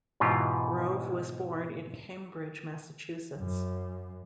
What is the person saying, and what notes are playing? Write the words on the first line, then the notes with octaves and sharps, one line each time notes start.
Grove was born in Cambridge, Massachusetts.
G#2 B2 E3 F4 G4
F#2